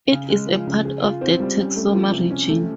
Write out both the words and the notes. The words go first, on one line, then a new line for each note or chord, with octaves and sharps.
It is a part of the Texoma region.
C#3
G#3
F3
C#3
G#4
F4
C4
G3
C#4
A3
F3
C3
C#4
A3